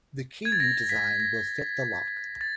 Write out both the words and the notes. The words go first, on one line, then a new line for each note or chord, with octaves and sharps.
The key you designed will fit the lock.
G#6
A6
A#6
B6
A#6
A6